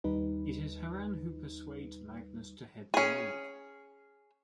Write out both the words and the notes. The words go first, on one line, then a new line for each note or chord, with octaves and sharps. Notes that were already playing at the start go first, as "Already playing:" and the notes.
It is Harran who persuades Magnus to head the League.
D#2 G3 D#4 B4
C#4 G#4